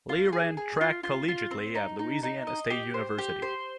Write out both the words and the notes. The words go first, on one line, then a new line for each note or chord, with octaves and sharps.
Lee ran track collegiately at Louisiana State University.
F4
G#4
G#4
F4
F4
F4
C4
D#4
D#4
D#4
D#5
G4
C5
G4
C5